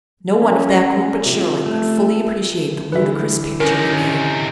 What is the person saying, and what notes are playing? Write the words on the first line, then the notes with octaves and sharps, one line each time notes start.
No one of that group but Shirley could fully appreciate the ludicrous picture he made.
C#4
A#6
C3 F3
A3
D3 E3 B4 E5
C3 C#4 D#4 A#4